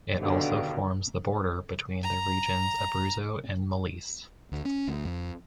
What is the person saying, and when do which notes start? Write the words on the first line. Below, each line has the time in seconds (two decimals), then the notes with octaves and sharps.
It also forms the border between the regions Abruzzo and Molise.
0.19 D#2 B2 D3
2.03 A#5
4.52 D2
4.65 C#4
4.88 D2
5.05 F2